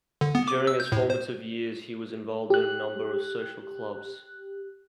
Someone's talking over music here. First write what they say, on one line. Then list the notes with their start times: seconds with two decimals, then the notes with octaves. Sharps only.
During his formative years he was involved in a number of social clubs.
0.21 D3
0.35 B3
0.48 D6
0.67 E6
0.80 G6
0.92 A2
1.10 C5
2.50 G4 F#6